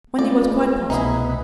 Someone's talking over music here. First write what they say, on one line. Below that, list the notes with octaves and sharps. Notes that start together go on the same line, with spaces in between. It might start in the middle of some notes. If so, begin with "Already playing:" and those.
Wendy was quite puzzled.
G#3 A3 F4 D5
B4
C2 B2 B3 D#4 E4 G#4